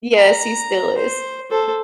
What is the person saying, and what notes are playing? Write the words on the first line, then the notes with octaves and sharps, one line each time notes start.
Yes, he still is.
A#5
C5
A4 C5